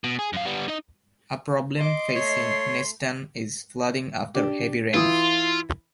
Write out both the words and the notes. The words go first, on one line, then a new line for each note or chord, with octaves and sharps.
A problem facing Nesttun is flooding after heavy rain.
B2
G#4
F#2 F5
G3 B3
D#4 D#5
D#5 C6 D6
A3 C#5 C7
D4 G4
E3 E4 F4 D#6